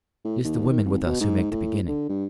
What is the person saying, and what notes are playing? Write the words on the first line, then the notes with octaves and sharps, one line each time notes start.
It is the women with us who make the beginning.
A2
D#2
D#3
G#1
B2
G#2
A2
D3
G2